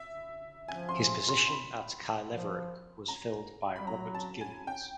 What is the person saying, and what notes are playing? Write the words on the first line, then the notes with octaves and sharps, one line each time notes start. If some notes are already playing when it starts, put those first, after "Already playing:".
His position at Caerlaverock was filled by Robert Gillies.
Already playing: E5
F3 G#5
C6
C6
B5
F3
A#5
G3 B5
F#3 A#5
A5
G#5
G5